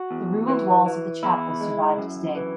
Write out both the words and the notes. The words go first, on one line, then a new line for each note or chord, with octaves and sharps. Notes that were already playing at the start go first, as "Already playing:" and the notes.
The ruined walls of the Chapel survive today.
Already playing: F#4
E2
E3
E3
E2 E4
G#3
F#2
E3